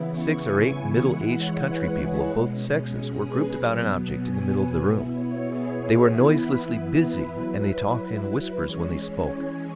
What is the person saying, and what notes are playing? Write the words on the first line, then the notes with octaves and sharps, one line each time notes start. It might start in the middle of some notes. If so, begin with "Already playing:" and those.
Six or eight middle-aged country people of both sexes were grouped about an object in the middle of the room; they were noiselessly busy and they talked in whispers when they spoke.
Already playing: C#3 E3 B3 E4
C#6
G#5
E3 G#3 E4 F#5
C#5
B4
G#4
B2 G#3 C#4
G#4
B4
B2 F#3 B3
G#5
B4
B2 B3 E4 G#4
C#5
G#4
E3 B3 E4 B4
F#3 E4 B4
E3 G#3 C#4 C#5
G#5